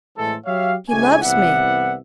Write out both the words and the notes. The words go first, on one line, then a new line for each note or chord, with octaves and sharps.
He loves me!
A2 E3 G#3 C4 A4
F#3 G4 C#5 E5 F5
C#2 G#2 A3 G4 C#5 G#5
C2 E3 B3 D5 E5 F#5